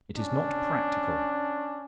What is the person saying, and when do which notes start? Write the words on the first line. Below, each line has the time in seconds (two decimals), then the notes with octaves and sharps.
It is not practical.
0.17 C#4 D4